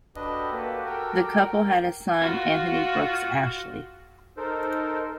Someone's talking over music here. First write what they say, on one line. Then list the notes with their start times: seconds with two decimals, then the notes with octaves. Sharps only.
The couple had a son, Anthony Brooks Ashley.
0.16 D4 F#4 G4 A4 B4 D#5
0.51 A#3 B4
0.86 A#4 G5
2.21 F4 F#4
4.37 D#4 A4 A#4 C5